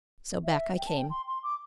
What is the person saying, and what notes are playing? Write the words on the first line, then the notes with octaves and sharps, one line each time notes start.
So back I came.
E5
G5
A5
G5
C6
C6
D6